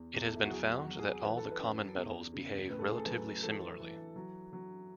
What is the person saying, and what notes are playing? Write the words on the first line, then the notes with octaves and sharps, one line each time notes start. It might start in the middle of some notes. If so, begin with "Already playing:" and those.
It has been found that all the common metals behave relatively similarly.
Already playing: E2
E2
A4
E4
F#4
F#3 G#4
F#4
F#3
G#4
E3 B4
A4
B4
F#2
E2
C#3
A2 B4
A4
G#4
A4
F#3 B4
E3 A4
E3
F#3
F#3